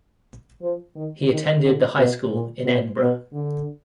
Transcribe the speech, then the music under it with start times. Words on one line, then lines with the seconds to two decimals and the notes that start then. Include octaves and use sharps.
He attended the High School in Edinburgh.
0.62 F3
0.95 D#3
1.30 D#3
1.64 D3
1.98 B2
2.32 A#2
2.66 B2
3.00 B2
3.33 D3